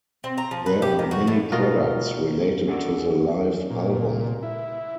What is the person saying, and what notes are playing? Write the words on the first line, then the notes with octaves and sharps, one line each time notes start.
There are many products related to the "Life" album.
C4
A#5
F3
B4
G4
D#3
F#4
A2
B2 F4 A#4
C#4 D4 F#4 A4 A#4 D5
A#2
E4